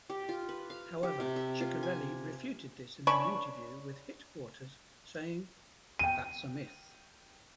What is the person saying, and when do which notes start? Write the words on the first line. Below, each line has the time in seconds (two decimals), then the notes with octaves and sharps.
However, Chiccarelli refuted this in an interview with HitQuarters saying, That's a myth.
0.10 G4
0.29 F4
0.49 B4
0.70 F5
1.03 G4
1.20 C3
1.36 E5
1.60 F4
1.83 G#5
3.07 C#4 D4 B5 C#6
5.99 G5 D#7